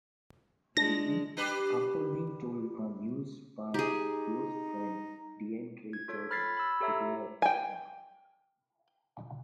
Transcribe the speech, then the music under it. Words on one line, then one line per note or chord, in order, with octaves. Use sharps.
Griffin, after being told the news by close friend DeAndre Jordan, declared, Yeah!
G#3 D4 A#6
D4 G4 B4
D#4 G4 G#4
G#6
F4 A4 C#5
B5 F6 G#6 A6 B6 C7
B5 E6
G4 A4 C#5 E5 A#5
A4
G5 G#5